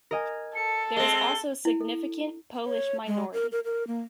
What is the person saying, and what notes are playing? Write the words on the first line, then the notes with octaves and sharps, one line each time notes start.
There is also a significant Polish minority.
A#4 D#5 G#5
A4 C#7
G#3 C4 G7
E4
A4
C#5
G#3
A#4
A#4
A#4
A#3